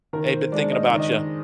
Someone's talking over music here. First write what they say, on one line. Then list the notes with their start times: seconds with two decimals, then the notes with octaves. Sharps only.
"Hey, been thinking about you,"
0.13 D#3 A#4
0.33 C5
0.52 G#3 D4 D5
0.72 D#5
0.86 D5
0.92 D#3
1.00 D#5